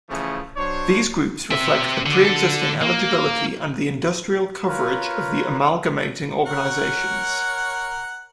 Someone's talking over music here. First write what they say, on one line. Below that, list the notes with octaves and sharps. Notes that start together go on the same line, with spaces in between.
These groups reflect the pre-existing eligibility and industrial coverage of the amalgamating organisations.
C#3 E3 F3 A3
F#3 D4 C5 C#5
C4 E5
D3
D3 A4
A#3
F4 A#4 B4 C#5 F5
A#4 C#5 F#5